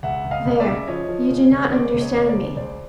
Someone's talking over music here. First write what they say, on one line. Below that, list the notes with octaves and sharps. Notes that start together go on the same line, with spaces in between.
There--you do not understand me.
C#2 E5 F#5
C#2
D#5 F5
C#2
D5 E5
C#3
F3 C#5 D#5
F3
C#3
C#2
C#3 C5 D5
C#2
C#5 D#5
C#2
C5 D5
C#2
C#2 C5 D5